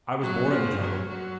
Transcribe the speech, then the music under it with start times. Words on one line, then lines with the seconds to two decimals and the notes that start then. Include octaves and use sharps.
I was born in the jungle.
0.22 F#3
0.51 F3
0.79 F#3
1.07 F#3